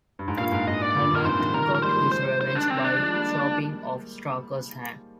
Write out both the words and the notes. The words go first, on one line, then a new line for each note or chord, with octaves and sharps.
Helmut got his revenge by chopping off Strucker's hand.
G2
G#2
G2 A#2 F5
G#2
G#2 D#5
D5
G2 A#2
G2 A#2 A#4
G#2 C3 C5
C3 D#3
F3
D#3 G3 A#4
F3 G#3
A#4
G3 A#3 C5
F3 G#3
C5
D#3 G3 C5
D4
C4
D4
F3 G#3
G3 A#3